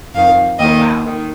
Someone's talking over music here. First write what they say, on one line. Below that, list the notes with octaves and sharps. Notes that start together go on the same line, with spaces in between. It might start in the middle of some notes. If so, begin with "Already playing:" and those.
Oh, wow!
F2 D#3 F5
D#2 D#3 D#5
D#3